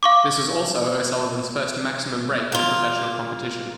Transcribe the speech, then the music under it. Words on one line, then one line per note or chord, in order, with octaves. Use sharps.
This was also O'Sullivan's first maximum break in professional competition.
F5 C#6 D6
A#3 F4